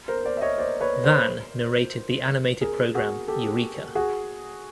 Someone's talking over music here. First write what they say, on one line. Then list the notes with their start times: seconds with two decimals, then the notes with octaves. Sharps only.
Van narrated the animated program Eureka!
0.08 A#4 C5
0.25 C5 D5
0.37 E5
0.41 C#5 D#5
0.58 C5 D5
0.81 B4 C#5
1.03 A#4 C5
2.61 G#4 A#4
2.95 F#4 G#4
3.28 G4 A4
3.95 F#4 G#4